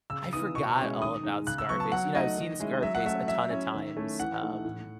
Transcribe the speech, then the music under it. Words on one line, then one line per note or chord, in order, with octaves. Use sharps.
I forgot all about Scarface, you know, I've seen Scarface a ton of times, um,
C#3 E6
E3 B3 D#4 D#6
B2 C#6
G#3 C#4 E4
D#3 D#6
G#3 D#4
C#3 F#6
E6
F#3 B3 C#6
A5
F#3 F#5
A3 D#4 D#5
D#3
G#3 C#4 E4
F#3 E5
F#5
A3 C#4 E5
F#3 E5
C#4 E4
D#3
A3 C#4 E4
E3 F#5
A3 D#4
A2